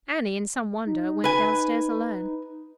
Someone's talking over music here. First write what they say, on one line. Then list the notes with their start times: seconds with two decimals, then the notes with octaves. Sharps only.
Annie, in some wonder, went downstairs alone.
0.86 D#4
1.24 B4 G#5